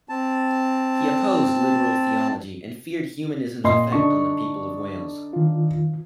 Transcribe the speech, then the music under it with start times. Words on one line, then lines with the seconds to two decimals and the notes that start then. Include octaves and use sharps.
He opposed liberal theology and feared humanism's effect on the people of Wales.
0.09 C4 A5
3.64 A#2 D#5 C6
3.92 D3 D4 D#4 C#6
5.33 D#3 F4